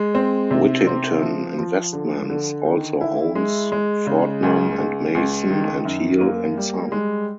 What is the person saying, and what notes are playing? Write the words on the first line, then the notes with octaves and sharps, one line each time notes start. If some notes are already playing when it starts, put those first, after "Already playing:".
Wittington Investments also owns Fortnum and Mason and Heal and Son.
Already playing: G#3
C4
C3
C4
F3
F3
D3
D3
D#3
E4
G#3
G#3
C#3
C#2
C#2
C#2
D#3
F#2
A#3
G3
G#3